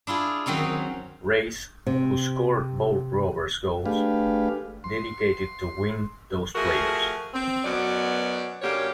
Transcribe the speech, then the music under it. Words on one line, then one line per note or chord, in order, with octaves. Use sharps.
Race, who scored both Rovers goals, dedicated the win to those players.
D4 E4 F4 G#4
D#3 F#3 C4 C#4 D#4
C3
A3 D4 G4 G#4 B4 F5
C6
F3 A3 F#4 G#4 A#4
C4
F#2 B2 F#3 B3 D5
F#2 D3 A#3 G4 C#5